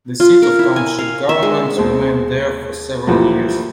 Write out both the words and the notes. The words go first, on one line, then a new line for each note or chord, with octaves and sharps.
The seat of township government remained there for several years.
F4
A#4
E4
G#5
F5
E5
G#3
D#2 G#3 C5
D2 E3 F3 G3 A#3